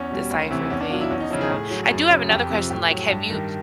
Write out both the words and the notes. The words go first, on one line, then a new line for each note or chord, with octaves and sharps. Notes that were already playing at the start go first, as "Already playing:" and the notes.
decipher things now, I do have another question, like, have you
Already playing: E2 C#4
B2 G3
D2
C3 E3
E2 C#4
D4
B2 F#3 F4
E4
E2 C#4
D#4
C#3 F3 E4
G#4
A2
F#3
F#2
C#3 F#3
F2 G4
C3 F3
A2 G4
F#3
G2
D#3 G3